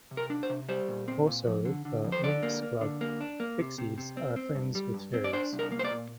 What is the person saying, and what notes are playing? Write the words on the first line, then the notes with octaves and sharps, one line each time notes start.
Also, the "Winx Club" pixies are friends with fairies.
C3
A#4
D4
C5
C3
G3 C5
A#2
C4
A#2
F2
D3
D3
F2
C5
D3 D5
A#3
A#3
D3
A#3
D4
A#3
C3
C3
C3
C4
C4
G2
G3
G2
C4
D5
D4 C5
C2
A#4
A#3
C5
D5
A#2